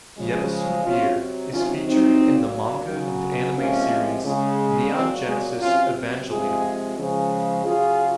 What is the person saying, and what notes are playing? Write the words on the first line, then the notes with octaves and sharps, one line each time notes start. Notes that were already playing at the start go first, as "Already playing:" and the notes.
Yebisu Beer is featured in the manga and anime series "Neon Genesis Evangelion".
C#3 F3 G#3
C3 F#3 C#4 F4
C3 D#3 F#3 C#4 F4
C4 D#4
A#2 F#3
C#3 F#3
C3 F3 G#3 A#3 C#4
C#3 G#3
A#2 F#3 G#3 C4
G#3
C3 F#3 C#4 F4
C3 F3 G#3 F4 G#4
C#3 F3 G#3
C#3 F#3 F4 G#4